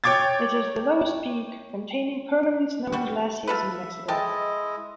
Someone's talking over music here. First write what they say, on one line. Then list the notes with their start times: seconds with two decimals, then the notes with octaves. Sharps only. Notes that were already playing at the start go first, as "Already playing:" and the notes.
It is the lowest peak containing permanent snow and glaciers in Mexico.
0.04 C#5 G5 D6 G#6 A6
2.92 G3 F#4
3.47 F4 A4 B4 E5
4.08 G#3 E4 A4 D#5 G5 A5